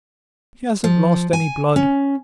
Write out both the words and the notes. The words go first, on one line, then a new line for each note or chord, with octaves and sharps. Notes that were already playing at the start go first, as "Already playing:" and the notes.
He hasn't lost any blood.
F3
G#5
C#4